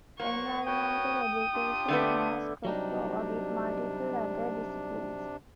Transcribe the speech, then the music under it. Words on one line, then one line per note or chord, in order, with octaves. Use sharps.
Environmental education has crossover with multiple other disciplines.
F#3 A#3 C5 F#5 C#6
F#4 B4 C#5 G5 D#6
D4 F4 G4
D3 A3 B3
C3 F#3 G3 D4 D#4